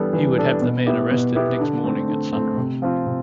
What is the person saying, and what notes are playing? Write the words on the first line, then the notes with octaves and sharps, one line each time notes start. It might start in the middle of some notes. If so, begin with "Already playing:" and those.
He would have the man arrested next morning at sunrise.
Already playing: E3 G3 B3 D4 A4
E3
G3 B3 D4 A4
B2
B3 E4 G4
B2
B3 E4 G4
D3
A3 C4
D3
A3 C4
C3
F3 C4 F4
C3